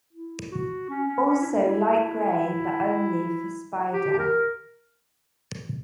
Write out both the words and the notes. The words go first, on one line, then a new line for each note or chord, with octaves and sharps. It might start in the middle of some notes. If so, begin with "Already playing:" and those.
Also light-grey but only for Spider.
E4
F#4
C#4
C#4
C#4
E4
D4
E4
G4
G4
A#4